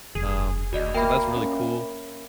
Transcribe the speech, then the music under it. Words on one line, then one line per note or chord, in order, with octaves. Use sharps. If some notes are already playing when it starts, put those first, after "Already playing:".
um, so that's really cool
F1 G#4
D2 F#4 D5 D#5
A#3 A#4 E5 G5 B5
C#4